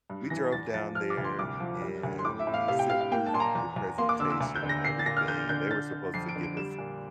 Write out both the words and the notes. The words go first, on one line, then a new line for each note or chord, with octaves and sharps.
we drove down there, and we sit through the presentation and everything, and they were supposed to give us
G2
E3 A#6
E2 A6
F3 A6
F3 F6
D6
D2
C6
C2 D6
F3
G3
D2
C6
A2 D6
E5
A2
F5
C3 F5
G5
C3 F5
F5
A#3 G5
A5
A#2 C6
A#5
E2
E2
A#3 C6
D6
D3 E6
E6
D2
G6
D3
A#6
A#2 C7
A6
A#2 A#6
F6
D3 G6
D3 G6
D3 A6
D3
F2 C7
D7
D3
D7
G3 E7
A#2